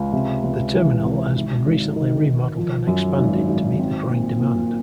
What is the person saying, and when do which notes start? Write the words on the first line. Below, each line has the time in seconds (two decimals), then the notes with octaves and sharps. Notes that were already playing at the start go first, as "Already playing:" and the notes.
The terminal has been recently remodeled and expanded to meet the growing demand.
Already playing: C#2
0.13 C3
0.44 C#2
0.74 E3
1.04 C3
1.35 G#1
1.66 G#1
1.96 D#3
2.27 D#3
2.56 F3
2.87 F#2
3.18 G#1
3.48 G#1
3.79 C4
4.10 A#2
4.40 A#2